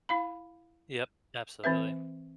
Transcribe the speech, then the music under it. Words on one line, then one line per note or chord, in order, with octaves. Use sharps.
Yep, absolutely.
E4 F5 B5
E3 C4 B4 E5